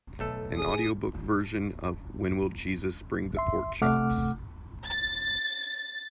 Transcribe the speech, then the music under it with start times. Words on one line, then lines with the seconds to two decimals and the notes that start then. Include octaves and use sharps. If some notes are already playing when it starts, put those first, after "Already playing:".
An audiobook version of When Will Jesus Bring the Pork Chops?
0.19 B1 A3 A4
0.58 G#4 D#6
3.37 E5 C6
3.82 C3 A3 F#5 D6 F6
4.87 A6